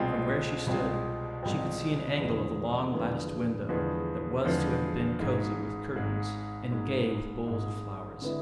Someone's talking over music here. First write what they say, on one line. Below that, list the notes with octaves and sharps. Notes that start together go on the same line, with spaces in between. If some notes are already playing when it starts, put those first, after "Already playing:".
From where she stood she could see an angle of the long latticed window that was to have been cosy with curtains and gay with bowls of flowers.
Already playing: C2 B2 G#3 C4 F4
C2 B2 G#3 C4 F4
C2 B2 G#3 C4 F4
E2 D3 F3 G#3 B3
E2 D3 F3 G#3 B3
E2 D3 F3 G#3 B3
E2 D3 F3 G#3 B3
G#1 G#2 G#3
G#1 G#2 G#3
G#1 G#2 G#3
G#1 G#2 G#3
D3 G#3 B3 E4